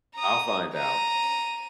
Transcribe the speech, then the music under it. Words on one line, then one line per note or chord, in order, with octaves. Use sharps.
I'll find out.
A#5 D#6
A#5 D#7